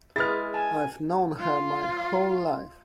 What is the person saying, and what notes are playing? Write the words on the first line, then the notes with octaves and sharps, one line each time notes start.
I've known her my whole life.
G#3 E4 G#4 B4 F6 A6
G#5 A5
F4